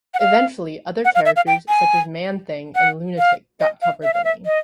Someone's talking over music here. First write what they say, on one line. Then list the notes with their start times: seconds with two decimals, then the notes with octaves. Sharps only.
Eventually other characters, such as Man-Thing and Lunatik, got cover billing.
0.14 F#5
0.19 F5
1.05 F#5
1.15 F5
1.25 E5
1.36 F5
1.47 G5
1.68 G#5
2.75 F#5
3.18 F5
3.60 D#5
3.82 F5
4.03 E5
4.14 F5
4.25 E5
4.46 D#5